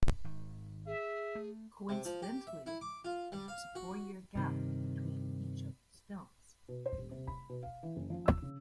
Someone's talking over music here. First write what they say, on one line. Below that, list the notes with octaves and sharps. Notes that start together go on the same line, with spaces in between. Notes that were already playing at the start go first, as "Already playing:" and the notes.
Coincidentally, there is a four-year gap between each of his films.
G#1 D#3
G#4 E5
A3
C3
F3
G4
E5
E4
D6
F4
G3
F5
F#4
G2 C3 D#3
B2
C5
D#1
C3
B5
B2
F5
E3
F#1
F3
E6
C#3